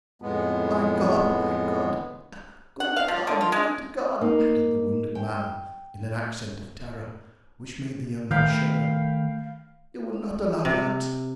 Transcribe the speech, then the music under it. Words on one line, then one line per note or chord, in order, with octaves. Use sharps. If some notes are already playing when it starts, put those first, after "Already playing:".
My God! my God! Good God! good God!" added the wounded man, in an accent of terror which made the young men shudder; "you will not allow that?
F2 A2 G#3 B3
F#5
F5
F3
D3
F4
G#3
A#3 D#4
G5
D#3 A3 F5 G5 B5
C3